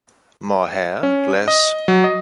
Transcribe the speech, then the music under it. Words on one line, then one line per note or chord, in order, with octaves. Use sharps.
More hair, less...
C#4
D#5
F#3
D#5